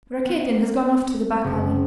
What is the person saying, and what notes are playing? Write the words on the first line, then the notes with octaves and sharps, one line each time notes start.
Rakitin has gone off to the back alley.
B3 C4
F#1